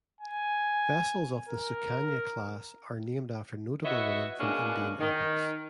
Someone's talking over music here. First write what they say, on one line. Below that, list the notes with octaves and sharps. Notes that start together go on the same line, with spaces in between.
Vessels of the "Sukanya" class are named after notable women from Indian epics.
G#5
A#4
E4 F#4 B4 C#5 D#5 E5
B2 G#3 A#3 C#4 D4
D#3